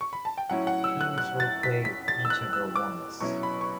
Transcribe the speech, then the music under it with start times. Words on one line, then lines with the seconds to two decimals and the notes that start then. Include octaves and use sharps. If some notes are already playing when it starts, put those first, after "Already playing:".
Teams will play each other once.
0.01 C#6
0.13 B5
0.25 A5
0.38 G5
0.50 A2 F#3 C#4 E4 F#5
0.67 F#5
0.84 E6
1.01 F#6
1.18 F#6
1.40 A6
1.63 B6
1.85 B6
2.08 A6
2.25 E6
2.30 F#6
2.53 E6
2.76 D6
3.20 B2 F#3 C#4 E4 C#6
3.43 B5
3.61 C#6